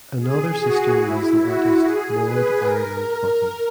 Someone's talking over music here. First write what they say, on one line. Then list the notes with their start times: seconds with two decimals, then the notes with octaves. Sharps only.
Another sister was the artist Maud Ireland Button.
0.20 G#4
0.60 F#4
1.02 E4
1.42 F#4
1.83 G#4
2.24 B4
2.65 A#4